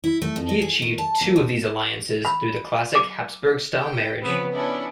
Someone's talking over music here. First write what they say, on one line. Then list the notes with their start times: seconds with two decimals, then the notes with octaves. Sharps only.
He achieved two of these alliances through the classic Habsburg style - marriage.
0.04 E4
0.22 A3
0.36 F2
0.49 D#5
0.62 G#4
0.82 D#3
0.98 A5
1.21 A#3
1.36 D#2
2.25 B5
2.95 D6
3.80 G5
4.21 C#3 F3 B3 C4
4.53 B3 C#4 D4 E4